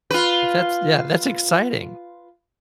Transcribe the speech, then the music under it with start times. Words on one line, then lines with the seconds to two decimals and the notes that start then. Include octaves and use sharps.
But that's, yeah, that's exciting.
0.11 F4 B4